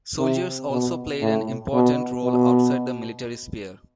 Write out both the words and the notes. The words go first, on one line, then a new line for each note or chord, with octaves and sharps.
Soldiers also played an important role outside the military sphere.
C3
B2
A2
B2
B2